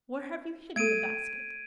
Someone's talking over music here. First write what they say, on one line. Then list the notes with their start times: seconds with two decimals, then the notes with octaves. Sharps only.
'Where have you hidden the basket?
0.76 A3 A4 G#6 D7 D#7